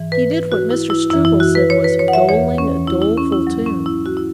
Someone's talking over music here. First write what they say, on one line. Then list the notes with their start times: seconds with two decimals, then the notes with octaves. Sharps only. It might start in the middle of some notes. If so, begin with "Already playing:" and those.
He did what Mr. Struble said was doling a doleful tune.
Already playing: G#2 E3
0.12 B4
0.31 B4
0.52 F#4
0.71 E4
0.90 E4
1.10 F#2 E3 E4
1.25 E4
1.40 F#4
1.55 B4
1.70 C#5
1.84 B4
1.99 C#5
2.08 F#5
2.13 E5
2.29 E2 E3 C#5
2.58 C#4
2.87 E4
3.02 E4
3.17 C#4
3.32 E4
3.47 G#2 F#3
3.66 C#4
3.86 E4
4.06 F#4
4.17 E4